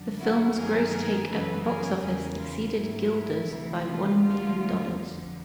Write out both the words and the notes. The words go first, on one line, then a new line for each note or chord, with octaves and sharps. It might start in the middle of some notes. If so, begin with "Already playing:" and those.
The film's gross take at the box office exceeded "Gilda"'s by one million dollars.
Already playing: F#2 D3 F#3
E4 F#4
G2 D#3 F#3 G#4 A#4
G#4 A#4
F#2 C#3 E3 A4 B4
G#4 A#4
E2 C#3 E3 G#4 A#4
F4
G#2 D#3 F#3 E4
D2 C3 E3
F4
D2 D3 F3 F4
F2 D3 F3